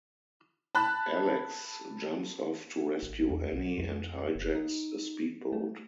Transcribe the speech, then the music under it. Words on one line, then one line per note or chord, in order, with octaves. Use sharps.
Alex jumps off to rescue Annie and hijacks a speed boat.
A5 B5 F#6
G#1
E2
B1
F2
F#1
D#4
A3